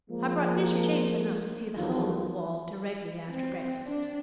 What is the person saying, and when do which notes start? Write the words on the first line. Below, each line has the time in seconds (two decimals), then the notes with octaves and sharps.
I brought Mr. Jamieson up to see the hole in the wall, directly after breakfast.
0.10 F3 G#3 A#3
1.76 E2 D#3 F3 F#3 F4
3.28 C4
3.86 D4